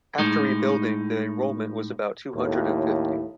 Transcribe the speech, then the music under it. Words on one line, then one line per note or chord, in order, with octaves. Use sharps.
After rebuilding, the enrollment was about two hundred and fifty.
A2 G#3 D#4
D#2 A2